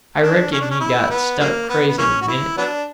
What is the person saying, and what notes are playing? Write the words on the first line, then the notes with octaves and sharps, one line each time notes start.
I reckon he got struck crazy a minute.
D4
C#4
D4
C#4
E4
B3
C#3 F#3 A#3
B3
B3
E3 A#3 C#4
F#4
E4
F#3 B3 D4